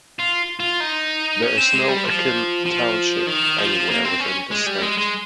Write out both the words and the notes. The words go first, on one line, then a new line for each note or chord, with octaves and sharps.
There is no Akin Township anywhere within the state.
F4
F4
D#4
C#4
C4
G#3
G3
F3
F3
D#3
F3
A#3
C4
C#4
G#3
G3
G#3
G#3